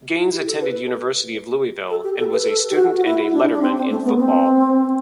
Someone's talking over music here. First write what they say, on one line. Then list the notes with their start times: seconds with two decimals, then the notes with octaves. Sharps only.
Gaines attended University of Louisville, and was a student and a letterman in football.
0.18 E4
0.33 G4
0.47 A4
0.61 B4
1.90 A4
2.04 G4
2.18 A4
2.33 B4
2.47 A4
2.70 G4
2.75 F#4
2.94 F#4
3.05 E4
3.33 D4
3.51 D4
3.62 C4
3.76 C4
3.90 A3
4.05 B3
4.19 C4